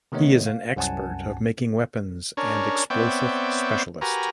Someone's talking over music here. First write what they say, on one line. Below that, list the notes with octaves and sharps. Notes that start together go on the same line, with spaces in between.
He is an expert of making weapons and explosive specialist.
C3 D#3 A3 B3 C#5 D#5
F5
C2 F#2 F#5 G#5 A5
C#4 D4 A#4 C#5
B3 C4 C#5 D5 E5 G5
F#4 G4 A#4 B4 G#5 A#5